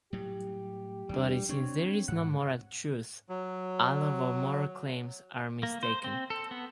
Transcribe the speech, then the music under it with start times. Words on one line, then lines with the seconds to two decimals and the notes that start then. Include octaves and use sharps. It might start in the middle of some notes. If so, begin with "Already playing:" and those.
But since there is no moral truth, all of our moral claims are mistaken.
0.13 A2 F#3 G3 G4
1.09 E2 G3 D4
1.49 C4 D4 C#5
2.08 G#2 F#5
3.29 F#3
5.63 A#3
5.83 C5
6.04 C4
6.30 A4
6.51 B3